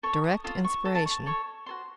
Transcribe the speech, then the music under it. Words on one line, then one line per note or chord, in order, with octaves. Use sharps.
"Direct inspiration."
A4 C#5 C#6
D#6
F4 A4 D#6
C#6
A4 D#5
A5
C#6
A4 C#5 C#6
F#4 A4 C5 C6